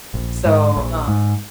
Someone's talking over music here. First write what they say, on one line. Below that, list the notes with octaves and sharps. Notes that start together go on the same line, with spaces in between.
So, um,
A#1
G#2
A#1
G#2